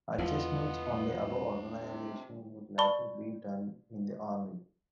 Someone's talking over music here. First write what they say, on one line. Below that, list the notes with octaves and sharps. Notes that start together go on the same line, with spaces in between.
Adjustments on the above organization would latter be done in the Army.
E2 B3 D4 F4 D#5
C3
D5 A5 B5 C#6 G7